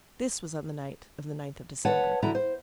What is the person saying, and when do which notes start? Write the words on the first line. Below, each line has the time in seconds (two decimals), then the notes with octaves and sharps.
This was on the night of the ninth of December.
1.85 B4 C#5 F#5 A5
2.22 D3 E3 E4 F#4 A#5
2.35 C5